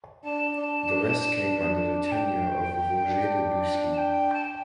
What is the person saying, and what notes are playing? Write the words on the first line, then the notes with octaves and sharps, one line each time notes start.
The rest came under the tenure of Roger de Busli.
D4 A5
D4
D4
D4
A5
G5
D4
A5
G5
A5
G5